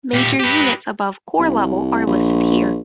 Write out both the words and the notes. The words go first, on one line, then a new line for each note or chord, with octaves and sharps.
Major units above corps level are listed here.
A#2 G4
G4 B4
C2
A#1